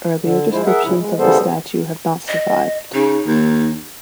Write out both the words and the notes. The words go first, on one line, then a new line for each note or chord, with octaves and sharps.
Earlier descriptions of the statue have not survived.
D3
F3 G#3 E4 C5
G#4 A#4 E5 F#5
E2 A#2 C#3 F3 E4
G#3
C#3 E3 G3 B3 A4 C5
D#5
C#3 D#4
D#2